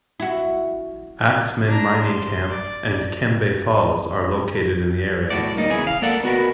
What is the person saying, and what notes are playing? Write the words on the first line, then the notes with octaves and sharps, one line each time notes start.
Axmin Mining Camp and Kembe Falls are located in the area.
E4 F#4
D4 A#5
C6
D5
B1 A2 F#4 D5
G2 A#3 D#4
E2 C#3 E3 G#4
F5
A#3 A4 D5 F#5
B3 F#4 A#4 B4